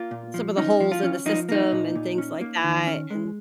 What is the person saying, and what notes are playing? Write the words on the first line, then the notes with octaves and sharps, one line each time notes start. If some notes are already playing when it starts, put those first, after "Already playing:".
some of the holes in the system and things like that, and,
Already playing: A#3 F4
A#2
F3
C#4 D#4
F3
F4
C#4
F3 D#4
A#3 D#4
A#2
A#2
C#4
A#3
D#3
C#4
G#3